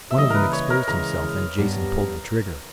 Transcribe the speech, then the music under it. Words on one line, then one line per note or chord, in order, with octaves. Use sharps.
One of them exposed himself and Jason pulled the trigger.
E5
C#3 E3 G3 A#3 D#5
A#4 B4
C#5
A#4
C#3 E3 G#3 A#4
G2 G3 B3 G4